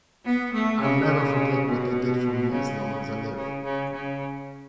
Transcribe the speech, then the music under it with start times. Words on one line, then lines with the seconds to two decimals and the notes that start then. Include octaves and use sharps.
I'll never forget what they did for me, as long as I live.
0.25 B3
0.53 A3
0.82 C#3
1.66 B2
2.51 C#3
3.36 C#3
3.64 C#3
3.93 C#3